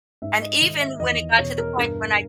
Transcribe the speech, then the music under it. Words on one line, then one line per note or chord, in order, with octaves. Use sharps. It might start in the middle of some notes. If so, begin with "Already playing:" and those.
And, even when it got to the point when I
G#2 E5
D#5
D#3 D#5
E5
E2 D#5
B2 C#5
A#4
G2 A#4